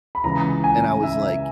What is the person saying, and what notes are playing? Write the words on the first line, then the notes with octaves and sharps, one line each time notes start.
And I was like
B5
C#2 C#3 E3 A#5
G#5
E5